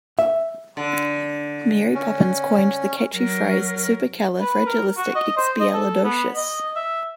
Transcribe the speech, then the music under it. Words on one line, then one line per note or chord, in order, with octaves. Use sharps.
Mary Poppins coined the catchy phrase Supercalifragilisticexpialidocious.
E5
D3
C#4
F#3 A#4
B4
A#4
F#4
D#5
C5
D#5
A4
B3
D#5
E5